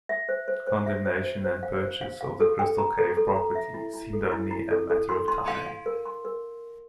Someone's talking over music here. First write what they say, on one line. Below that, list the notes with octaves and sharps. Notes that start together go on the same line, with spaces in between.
Condemnation and purchase of the Crystal Cave property seemed only a matter of time.
E5
C5
C5
C5
E5
C5
C5
C5
F5
C5
F5
F5
A4
G5
A#5
A4
A4
A#5
E5
E4
E4
A4
E4
E4
A4
A4
C6
C6
F5
F5
A#4
C6
A#4